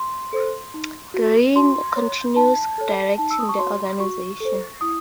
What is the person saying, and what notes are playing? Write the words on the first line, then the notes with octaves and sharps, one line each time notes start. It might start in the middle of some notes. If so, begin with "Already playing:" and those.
Greene continues directing the organisation.
Already playing: C6
A4 C5
D#4
F#4 A4
F#4 C6
C#5
D#4 A5
A4 C#5
D#4 A5
E6
D#6
C#6
F#4 C#5 C6
F#4 C#6
A4 C5
E4 D#6